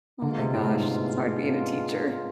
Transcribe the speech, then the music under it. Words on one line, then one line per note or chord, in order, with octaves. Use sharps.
Oh my gosh, it's hard being a teacher.
D3 G#3 B3 D4 F4
C3
A2
G#2